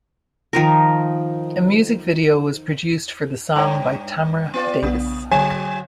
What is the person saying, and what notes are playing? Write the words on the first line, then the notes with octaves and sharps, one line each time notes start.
A music video was produced for the song by Tamra Davis.
D#3 F3 A#4
G2 C#5 G5 A#5
B3 F4 D5
B1 C#3 B3
D3 F#3 C#5 G#5